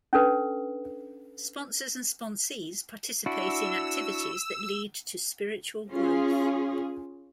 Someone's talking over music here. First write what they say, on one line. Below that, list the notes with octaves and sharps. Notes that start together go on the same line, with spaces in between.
Sponsors and sponsees participate in activities that lead to spiritual growth.
C#4 D4 A4 B4
D4 E4 F#4 E6
C#4 F4 G#4